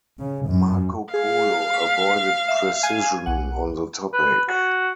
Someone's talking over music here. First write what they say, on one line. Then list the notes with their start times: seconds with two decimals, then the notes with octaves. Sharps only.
Marco Polo avoided precision on the topic.
0.20 C#3
0.50 F#2
1.14 G#4 F5
1.73 B6
2.48 E5
2.83 G#5 G#6 D#7
3.26 B1 F#5
4.13 B4
4.48 F#4